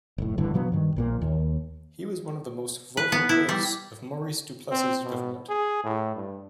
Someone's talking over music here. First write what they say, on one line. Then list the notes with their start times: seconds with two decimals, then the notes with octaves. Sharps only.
He was one of the most vocal critics of Maurice Duplessis's government.
0.18 F1 A2
0.38 E1 G2 D3 E3
0.54 B2 F3 F#3 B3
0.72 G2 D#3
0.96 A#1 A#2 A#3
1.22 D#2
2.97 B4
3.12 B3
3.29 E4
3.49 G3
4.71 C4
5.04 B2
5.50 G#4
5.84 A2
6.16 G2